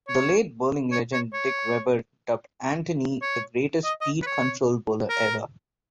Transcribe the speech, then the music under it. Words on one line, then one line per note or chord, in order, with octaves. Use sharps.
The late bowling legend Dick Weber dubbed Anthony the greatest speed-control bowler ever.
C#5
C#5
C#5
C#5
C#5
D#5
D#5
B4
C#5
A#4